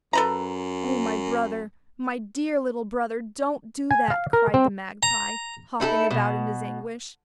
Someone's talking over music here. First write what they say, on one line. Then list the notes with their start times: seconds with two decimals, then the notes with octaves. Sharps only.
'Oh, my brother, my dear little brother, don't do that,' cried the magpie, hopping about in his anguish.
0.13 F#2 A4 B4 A#5
3.91 G#5
4.10 F5
4.33 A#4
4.54 C4
5.03 A#5
5.80 D#4 E4 G#4 A4
6.11 B2